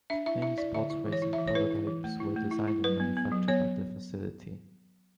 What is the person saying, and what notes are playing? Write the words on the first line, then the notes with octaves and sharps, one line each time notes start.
Many sports racing prototypes were designed and manufactured at their facility.
D4 E5
E4 E5
E4 E5
E4 D5
D3 E5
E4
E3
C#5
E4
E5
E3
C#5
E4 B4
E4
E3
A3
E4
A3
E4
E4
F#3 B4
B3
B3
F#3
B3 C#5